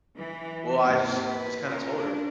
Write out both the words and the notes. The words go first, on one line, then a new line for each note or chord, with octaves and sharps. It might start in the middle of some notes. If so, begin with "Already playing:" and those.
Well, I just just kinda told her
E3
D#2 G#2 E3 C4
B4
C#4 F4 A#4
D4